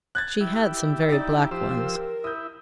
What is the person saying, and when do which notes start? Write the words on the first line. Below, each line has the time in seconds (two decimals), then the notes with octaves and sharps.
She had some very black ones.
0.15 F#6 G#6 A6
0.40 E4 G4
1.09 D#4 D5 A6
1.51 F3 G4 C5 E6
1.76 A#4
2.24 E4 D#6 G6